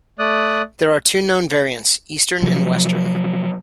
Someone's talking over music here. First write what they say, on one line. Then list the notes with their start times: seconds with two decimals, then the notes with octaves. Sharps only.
There are two known variants: eastern and western.
0.19 A3 D5 D#6 F#6
2.42 C3 F3 F#3